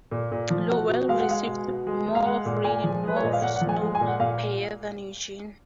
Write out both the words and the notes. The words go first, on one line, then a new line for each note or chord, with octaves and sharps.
Lowell receives more of rain and more of snow per year than Eugene.
A#2
A#2
F3
B2 F#4
B2
G#3 F5
F#5
G#3 F5
B2
B2
G#3
G#3
F5
G#3 F#5
A#2
A#2 G#5
F3
G#3 B4
C#5
A#2 D#5
F5
A#2 F#5
F#5
F3
G#5
G#3
G#5
A#2
F#5
A#2 F5